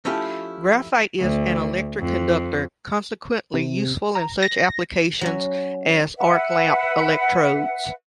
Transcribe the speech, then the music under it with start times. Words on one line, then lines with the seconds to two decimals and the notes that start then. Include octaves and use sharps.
Graphite is an electric conductor, consequently, useful in such applications as arc lamp electrodes.
0.05 F3 A3 C#4 E4 F4 G4
1.19 D2
2.01 F2
3.54 C3
4.15 A#5
4.43 A#6
5.21 F#3 C#4
6.18 B4 E5 F#5